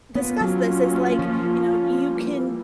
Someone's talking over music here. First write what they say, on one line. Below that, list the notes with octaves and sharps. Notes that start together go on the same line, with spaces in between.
discuss this is, like, you know, you can
A#3 B3 C#4 F4
F#3
F3
E3 G3 A#3